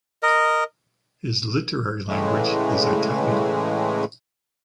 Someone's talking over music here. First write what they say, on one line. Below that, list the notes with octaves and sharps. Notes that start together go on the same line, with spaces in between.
His literary language is Italian.
A#4 D#5
A2 C#3 E3 G#3 A3